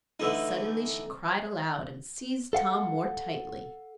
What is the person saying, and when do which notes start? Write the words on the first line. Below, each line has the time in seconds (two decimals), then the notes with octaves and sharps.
Suddenly she cried aloud and seized Tom more tightly.
0.20 D3 E3 A3 D#4
2.53 A4 F5 F#5